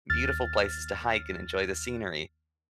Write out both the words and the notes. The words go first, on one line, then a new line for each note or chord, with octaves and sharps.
beautiful places to hike and enjoy the scenery,
D#2 F6 A6